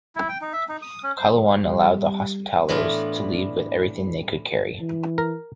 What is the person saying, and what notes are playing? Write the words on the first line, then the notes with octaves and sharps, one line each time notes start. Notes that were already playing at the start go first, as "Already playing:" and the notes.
Qalawun allowed the Hospitallers to leave with everything they could carry.
E4
G5
D#4
E5
D#4
D#6
C#4
C5
G3
A2 E3 B3 D4 F4
E3
A#4